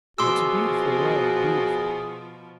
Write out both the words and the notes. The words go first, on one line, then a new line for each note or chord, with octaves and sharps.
It's a beautiful road, beautiful.
B2 F3 F#4 G#4 C6 D6 E6